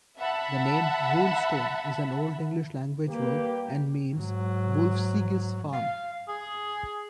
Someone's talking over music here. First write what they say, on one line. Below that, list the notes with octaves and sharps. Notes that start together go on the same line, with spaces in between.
The name 'Woolstone' is an Old English language word, and means 'Wulfsige's farm'.
E5 F#5 A5 B5
G3 A#3 G4 B4
G#2 F#3
F5
G#4